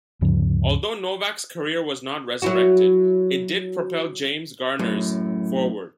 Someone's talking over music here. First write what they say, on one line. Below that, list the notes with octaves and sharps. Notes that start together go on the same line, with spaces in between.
Although Novak's career was not resurrected, it did propel James Garner's forward.
D2 G2 C#3 F3
F#3 E4 F#4
F#2 A2